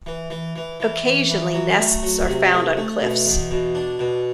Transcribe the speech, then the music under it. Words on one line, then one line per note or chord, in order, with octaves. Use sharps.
Occasionally, nests are found on cliffs.
E3
E3
E3
E3
E3
E3
F#3
A3
F#3
C3
A3
A3
B2
E2
B2
D4
B2